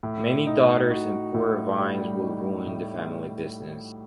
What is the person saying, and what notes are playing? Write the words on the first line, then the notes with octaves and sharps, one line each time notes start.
Many daughters and poor vines will ruin the family business.
A2
D#4
F#4
A2
G3
D#4
A2